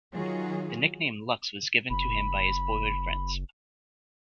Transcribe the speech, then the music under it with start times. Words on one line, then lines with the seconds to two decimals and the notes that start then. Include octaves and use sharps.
The nickname "Lux" was given to him by his boyhood friends.
0.14 D#3 F#3 F4 F#4 G#4
1.90 F#1 B5